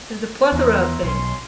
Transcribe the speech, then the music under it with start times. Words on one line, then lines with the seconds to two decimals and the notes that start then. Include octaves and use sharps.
There's a plethora of things.
0.52 E2 E5 A#5 C6
1.03 B1 C#4 C6